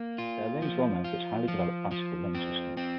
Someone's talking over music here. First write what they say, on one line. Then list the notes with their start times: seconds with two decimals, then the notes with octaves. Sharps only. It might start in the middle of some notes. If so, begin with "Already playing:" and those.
Berlin is well known for its highly developed bicycle lane system.
Already playing: A#3
0.18 F4
0.62 F3
1.04 F4
1.48 F3
1.91 F3
2.35 C4
2.77 C4